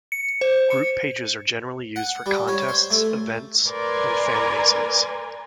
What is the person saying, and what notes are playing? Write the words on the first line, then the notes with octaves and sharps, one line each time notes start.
Group pages are generally used for contests, events, and fan bases.
C#7
C5
C#7
F#5
G3
C#4
C5
A3
A#4 B4 D5 G#5 A#5 C6